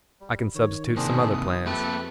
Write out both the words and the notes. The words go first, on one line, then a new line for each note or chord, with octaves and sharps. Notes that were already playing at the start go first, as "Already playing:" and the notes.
I can substitute some other plans.
G3
D#3 C#5
C3 A#3 D4 G#4 C5
D#6
F2 A#3 G4 B4 E5 A5